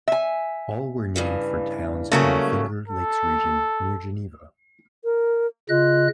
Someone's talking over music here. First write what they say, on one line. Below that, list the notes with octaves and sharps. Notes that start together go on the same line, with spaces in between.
All were named for towns in the Finger Lakes region, near Geneva.
E5 G#5
G2 C#3 E3
C#3 F#3 G3 A3 A#3 C#4
A4
A#4
C#3 F4 D#5 F#6